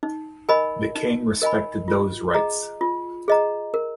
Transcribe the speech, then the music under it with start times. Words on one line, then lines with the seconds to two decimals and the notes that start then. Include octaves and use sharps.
The king respected those rights.
0.03 D#4
0.49 A#4 D#5 G#5 B5
0.95 D#4
1.42 A#4 D#5 G#5 B5
1.88 F4
2.34 G#4 D#5 A#5
2.81 F4
3.28 G#4 D#5 A#5
3.74 A#4